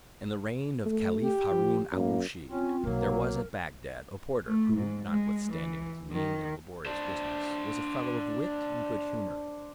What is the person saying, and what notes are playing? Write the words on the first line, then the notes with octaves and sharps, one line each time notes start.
In the reign of Caliph Haroon al Rusheed, there was at Bagdad, a porter, who, notwithstanding his mean and laborious business, was a fellow of wit and good humour.
A3
G4
F3
F#2 A#3
C4 C#4 F4
B1 C3 F#3 A#3 A#4
A3
G#2
G#3
E3
D#3
D4 C5